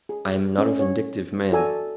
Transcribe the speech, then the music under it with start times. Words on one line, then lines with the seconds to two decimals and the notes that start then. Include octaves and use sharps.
I am not a vindictive man.
0.09 G#4
0.58 C#4
0.79 C#5
1.53 F#4 A4 D5 G#5 A#5 E6